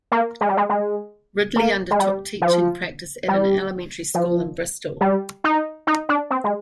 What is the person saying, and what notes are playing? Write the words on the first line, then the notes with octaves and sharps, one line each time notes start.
Ridley undertook teaching practice at an Elementary School in Bristol.
A#3
G#3
G3
G#3
G#3
A#3
G#3
G3
F3
G3
F3
G3
D#4
D#4
D4
C4
G#3